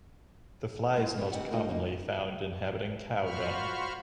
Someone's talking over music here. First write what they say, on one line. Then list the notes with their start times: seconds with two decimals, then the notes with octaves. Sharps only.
The fly is most commonly found inhabiting cow dung.
0.96 G#3 A#3 E4 F4
1.17 F#3 G3 C#4
1.32 C#3 C4 D#4 G4 F#5
1.51 A3 D#4 F4 F#4 A#4
1.69 C#3 A#3 D#4
3.22 F4 F#4 C5 B5 C#6 F6